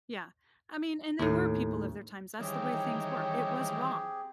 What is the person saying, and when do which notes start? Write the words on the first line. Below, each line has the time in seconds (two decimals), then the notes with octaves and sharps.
yeah, I mean, and they were people of their times, that's the way things were. It was wrong.
1.19 D#2 A2
2.40 D#3 E3 G3 C4 D#4 G4 G#4 C#5